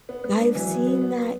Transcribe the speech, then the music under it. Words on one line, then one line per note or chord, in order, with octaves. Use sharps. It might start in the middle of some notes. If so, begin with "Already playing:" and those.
I've seen that.
B3
G#3 B3
D4
E3 F#3
B3
B3
B3